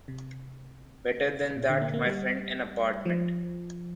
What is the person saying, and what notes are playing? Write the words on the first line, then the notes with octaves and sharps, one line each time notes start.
Better than that, my friend... an apartment.
C3
A#2
D3
A#3
A#3
G3
F3